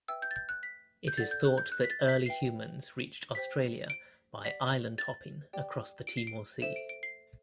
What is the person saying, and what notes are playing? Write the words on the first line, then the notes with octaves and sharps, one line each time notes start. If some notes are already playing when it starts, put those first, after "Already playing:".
It is thought that early humans reached Australia by "island-hopping" across the Timor Sea.
B4 E5 G5 E6
G6
A6
G6
F#6
B6
G6
A4 D5 F#5 A6
G6
F#6
G6
F#6
B6
A6
B6
B4 E5 G5 C7
G4 C5 G5 B6
D7
G4 D5 F#5 B6
A6
G4 D5 G5
D7
C7
D7
A4 C5 E5 E7
D7
D7
C7